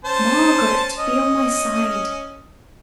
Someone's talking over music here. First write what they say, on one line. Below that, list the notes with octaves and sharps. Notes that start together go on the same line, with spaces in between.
Margaret, be on my side.'
C#4 C5 A5
C#4 D#5